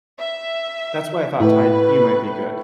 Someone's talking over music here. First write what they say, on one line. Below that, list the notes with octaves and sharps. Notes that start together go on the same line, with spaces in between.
That's why I thought Tai Chi might be good.
E5
A2 B4